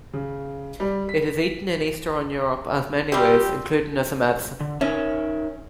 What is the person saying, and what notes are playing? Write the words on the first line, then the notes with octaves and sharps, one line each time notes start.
It is eaten in Eastern Europe in many ways including as a medicine.
C#3
G3
B6
G3 C4 G4
D3
C#4 D#4 A#4 E5